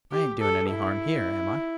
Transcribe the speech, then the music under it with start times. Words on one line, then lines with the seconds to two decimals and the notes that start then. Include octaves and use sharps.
'I ain't doing any harm here, am I?'
0.11 G4
0.40 A4
0.69 E4